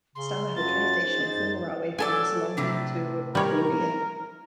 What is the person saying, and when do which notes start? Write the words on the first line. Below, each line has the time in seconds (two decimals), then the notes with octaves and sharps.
Stamna had a train station on the former railway from Missolonghi to Agrinio.
0.15 C#3 C6
0.56 F#2 F4 A6
1.02 D#4 G#4 C5
1.34 F#2
1.98 F#3 A4 D5 G#5
2.57 A2 C3 D4
3.35 G3 A#4 C#5